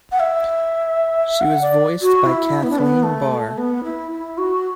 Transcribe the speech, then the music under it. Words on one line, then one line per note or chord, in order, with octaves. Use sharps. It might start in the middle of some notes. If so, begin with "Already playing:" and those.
She was voiced by Kathleen Barr.
F#5
E5
F#5
D5
F#4
F#4
E4
B3
D4
B3
A3
A3
B3
E4
E4
F#4